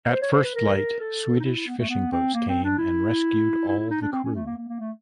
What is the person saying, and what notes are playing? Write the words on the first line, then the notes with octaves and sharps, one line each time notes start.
At first light Swedish fishing boats came and rescued all the crew.
C5
C#5
C5
B4
A#4
A4
D#4
E4
E4
B3
A3
B3
C4
A#3
C4
D4
E4
E4
E4
D#4
D4
C4
C#4
A3
A#3
A#3
A#3
A3